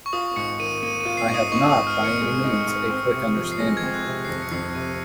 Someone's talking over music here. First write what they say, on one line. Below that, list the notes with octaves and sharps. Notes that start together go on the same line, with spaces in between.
I have not by any means a quick understanding.
C#6
F4 D#6
G#2 C#7
D#3 D#7
A#3 D#7
D#7
F4
C7
G#2 C#6
D#6
D#4 C#6
D#6
G#2
F6
D#3
C#7
G#3
D#4
G#2
C4
C3
F3
C7
G#3 A#6
G#6
C4
F#6
C3
G#6
C7
F2 A#6
C#7
F2 C7
C3 D#7